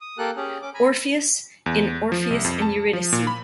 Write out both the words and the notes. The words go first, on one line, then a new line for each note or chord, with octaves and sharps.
Orpheus in Orpheus and Eurydice.
D#6
A#3 G4 A4 A#4 F#6
C#4 G4 G#4
C#4 D6
G#5 A#5 B5
E2
F3
C2
F2
A5
F3
A#2
B5